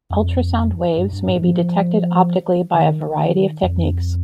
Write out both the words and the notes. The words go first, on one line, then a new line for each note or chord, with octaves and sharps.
Ultrasound waves may be detected optically by a variety of techniques.
F2
G2
G2
G#2
F3
D#3
F2